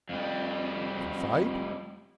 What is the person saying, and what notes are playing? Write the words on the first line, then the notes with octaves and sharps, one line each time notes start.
"And fight?"
F2 G3